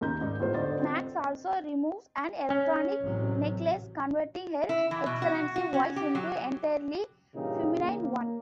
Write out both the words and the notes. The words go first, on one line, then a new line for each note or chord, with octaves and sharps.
Max also removes an electronic necklace converting Her Excellency voice into entirely feminine one.
D#2 C#3 D#4 A#5 G6
G#2 D#4 D5
E2 A2 F4 C5
D3 A4 C5 D5 D#5 A6
C4
C#4
A1 C3 F#3
E4
E3
B2
F#4
F#4
C#4
G4
F#3
G2 A#2 C#3 E3 D#4 G4
A#3